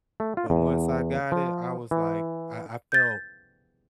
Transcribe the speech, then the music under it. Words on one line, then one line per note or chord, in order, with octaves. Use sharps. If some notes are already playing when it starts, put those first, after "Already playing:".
but once I got it, I was, like I I felt
A3
F4
E2
F3
E3
G6 A6